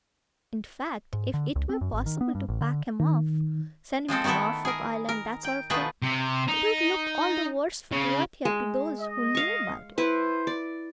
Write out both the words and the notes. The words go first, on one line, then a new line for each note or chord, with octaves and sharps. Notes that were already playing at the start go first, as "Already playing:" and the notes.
In fact, if it were possible to pack him off--send him to Norfolk Island--that sort of thing--it would look all the worse for Dorothea to those who knew about it.
G#2
D3
C#2
C4
F#2
G#1
D#3
B3
G2
A1
D3
D#3
F3 G#3 C4 A4
D#3 A3 B3 E4 A4
G#4 A#4
A#4
G5
B2 D#3 F3 A3 G#4 B4
C3
D#4
C#3
G#3
D#5
F5 C#6
E4 B4 C5
D5